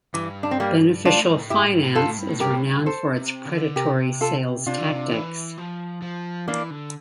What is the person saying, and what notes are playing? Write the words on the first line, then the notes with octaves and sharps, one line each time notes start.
Beneficial Finance is renowned for its predatory sales tactics.
G2 E3
D4
C4
G3 A#3
G2 D4 F4
A2
G2
A2
G2 E4 G4
A2
G2
A2
G2 F4 A4
A2
G2
A2
G2 G4 A#4
A2
G2
A4 C5
C3
D3
C3 G4 A#4
F4 A4
C3 D4 F4
D3
C3
E3
F3
F3
E3 A#3 D4
D3